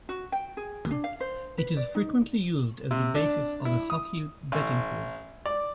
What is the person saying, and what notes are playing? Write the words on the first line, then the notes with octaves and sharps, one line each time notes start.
It is frequently used as the basis of a hockey betting pool.
F#4
G5
G#4
D4
F5
C5
B4
D5
D#4
C3
D4
E4
D#6
A1
D5